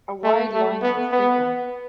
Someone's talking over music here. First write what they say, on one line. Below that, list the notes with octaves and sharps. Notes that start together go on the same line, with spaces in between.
A wide line of people.
A3
A3
B3
B3